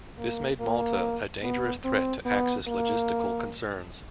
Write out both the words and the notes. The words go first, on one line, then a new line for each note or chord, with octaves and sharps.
This made Malta a dangerous threat to Axis logistical concerns.
A#3
A#3
B3
C4
B3
A#3